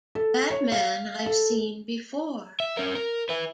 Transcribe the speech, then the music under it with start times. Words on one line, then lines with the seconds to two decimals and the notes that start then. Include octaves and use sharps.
That man I’ve seen before.
0.15 A4
0.50 C#5
0.72 F5
1.26 A4
2.60 E5
2.77 C#4 A#4
2.95 A#4
3.29 B4 E5